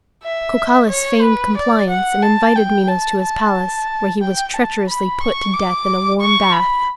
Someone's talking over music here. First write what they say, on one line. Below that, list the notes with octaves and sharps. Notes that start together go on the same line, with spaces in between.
Cocalus feigned compliance and invited Minos to his palace, where he was treacherously put to death in a warm bath.
E5
C#5
B4
D5
F#5
A5
G5
A5
A5
G5
A5
B5
C#6
D6
C#6
B5